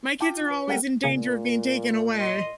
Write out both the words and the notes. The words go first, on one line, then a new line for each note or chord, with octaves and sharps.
My kids are always in danger of being taken away
F4 G5 A5 D6
B4
G3 G#3 A4 A#4 F#5 G5
A#2 C#3 A#3 G#4
D#5 C6